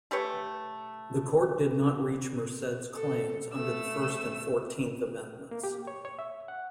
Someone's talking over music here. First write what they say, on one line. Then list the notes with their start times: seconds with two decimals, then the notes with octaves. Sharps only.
The court did not reach Merced's claims under the First and Fourteenth Amendments.
0.11 A3 G4 B4 C#5
2.95 A4
3.53 A3 E6
5.51 A#3
5.63 G4
5.87 C#5
6.05 C#5
6.19 E5
6.48 F#5